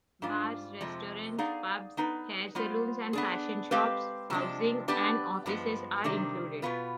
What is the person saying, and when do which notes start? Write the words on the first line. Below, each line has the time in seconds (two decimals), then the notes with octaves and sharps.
Bars, restaurants, pubs, hair salons and fashion shops, housing and offices are included.
0.22 G#2 G3 D4 F4
0.81 F2 C3 F3 G#3
1.38 B3 D#4 G#4 D5 F5
1.97 B3 D#4 B4
2.55 G3 B3 F4 C5
3.13 B3 D4 G#4
3.71 G#3 C4 G4 B4 F5
4.30 C3 F3 G#3 D4
4.88 B3 D4 G4 B4 D5
5.46 G2 F3 G#3 B3
6.04 C3 D#3 G3 D4
6.62 B2 B3 F4 B4